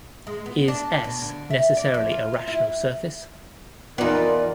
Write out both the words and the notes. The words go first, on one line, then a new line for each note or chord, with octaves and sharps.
Is S necessarily a rational surface?
G#3
B3
D4
B2
D3
E5
D5
F2
F4
F4
E4
E2 B3 D#4 F4 A#4 D5